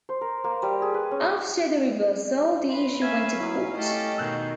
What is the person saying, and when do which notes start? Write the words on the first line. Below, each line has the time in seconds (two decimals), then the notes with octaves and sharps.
After the reversal, the issue went to court.
0.09 C5
0.21 A#4
0.44 A#3
0.63 G3
0.82 G#4
0.94 B4
1.11 C#4
2.69 B4 C6
3.02 C#4 E5 F5 G#6
3.40 F#3 E4
3.74 A3 G4 A4 D#5
4.18 B2 D#3 E6 F#6 G6